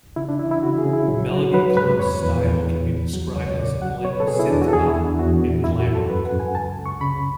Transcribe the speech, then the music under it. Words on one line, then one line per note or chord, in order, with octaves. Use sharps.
Melody Club's style can be described as a blend of synthpop and glam rock.
C#3 E4
D4
E3 E4
E4
C#3 F#4
G#4
C#3
E4
F#3
F#3 F#4
F#3 B4
G#2 B4
E2 C#5
E2 B4
E2
E2
C#2
F#3
C#2 C#5
C#3 D5
F#3 F#5
B2 C#5
B4
A4
B2 G#4
E4
E2 D4
F#4
A4
E2 G#4
E4
E2
D4
E2 F#4
E2
F#2 E4
F#4
F#2
A4
F#2 B4
F#5
F#2
G#5
C#2 A5
C#2
C#6
C#3 B5